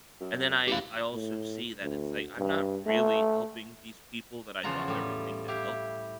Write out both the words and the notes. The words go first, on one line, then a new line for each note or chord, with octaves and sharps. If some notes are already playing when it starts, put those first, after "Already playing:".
and then I I also see that it's, like, I'm not really helping these people that I drop everything to help,
F#2
A1 G4 F5
A2
D2
G2
A3
E2 C#3 F3 F4 F#5 A#5
A2 G3
E4 G4 F5